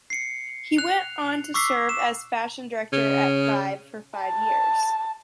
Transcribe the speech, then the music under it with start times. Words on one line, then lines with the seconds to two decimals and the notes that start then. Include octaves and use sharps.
He went on to serve as fashion director at "Vibe" for five years.
0.10 C7 C#7
0.78 F#6 F7
1.54 C#6 D6 E6 B6 C7
1.89 E7
2.93 C#3
4.19 A5